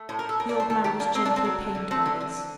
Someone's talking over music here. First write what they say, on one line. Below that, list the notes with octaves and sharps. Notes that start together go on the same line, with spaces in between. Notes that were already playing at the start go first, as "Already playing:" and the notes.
The old man was gently pained by this.
Already playing: A3
A2 C5
A#4
A2 A4
A2 A#4
D5
A3
C5
D#3 A4
D#3 G4
A#3 D4
A#3 C4
D4
D3
C4
F#3
D3
D3
A3 C4
D3
D3
D3